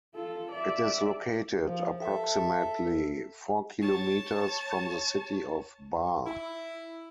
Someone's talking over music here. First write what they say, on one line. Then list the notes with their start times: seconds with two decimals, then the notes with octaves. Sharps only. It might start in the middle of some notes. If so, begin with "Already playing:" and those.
It is located approximately four kilometers from the city of Bar.
0.14 F4 A4
0.51 D5 E5
1.61 F3
2.00 A4 E5
3.81 C#5 A5
6.26 E4